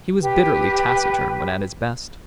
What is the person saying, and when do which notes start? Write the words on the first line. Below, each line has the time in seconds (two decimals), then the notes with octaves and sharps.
He was bitterly taciturn when at his best.
0.21 G4 B4